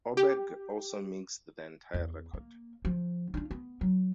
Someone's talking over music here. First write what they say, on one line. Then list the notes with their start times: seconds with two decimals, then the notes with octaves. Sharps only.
Oberg also mixed the entire record.
0.17 G4
1.94 E2
2.34 A#3
2.85 F3
3.34 D4 F4
3.51 B3
3.81 F#3